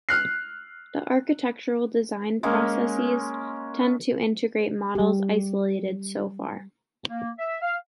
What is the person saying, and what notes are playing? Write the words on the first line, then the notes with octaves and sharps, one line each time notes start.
The architectural design processes tend to integrate models isolated so far.
F6 F#6 C7
G#3 A#3 C#4
G3 G4
A#3
E5
F5